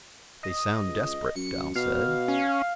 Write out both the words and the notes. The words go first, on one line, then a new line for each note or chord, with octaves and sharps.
"They sound desperate," Dal said.
D#5
C#2
F#2 C#7
B2 F5
C#4